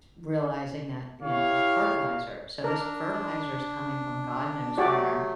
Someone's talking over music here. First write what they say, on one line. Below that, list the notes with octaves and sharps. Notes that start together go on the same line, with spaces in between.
realizing that, you know, fertilizer, so this fertilizer is coming from god knows where
E4 G4 C#5 F5
D4 A#4
F#3 A3 F#4 G4 D5